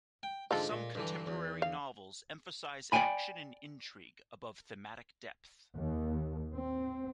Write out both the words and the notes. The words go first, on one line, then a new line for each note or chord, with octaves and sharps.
Some contemporary novels emphasize action and intrigue above thematic depth.
G5
G#2 D3 G#3 F4 A4
A#2
G2 D3 E3
E2
F5
D5 F5 G5 G#5 B5
D#2
C4